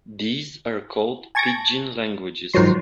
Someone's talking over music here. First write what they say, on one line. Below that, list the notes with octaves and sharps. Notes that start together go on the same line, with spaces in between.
These are called "pidgin languages".
G#5 A5 C#6 G#6 A#6 D7
G#2 D#3 F3 F#3 C6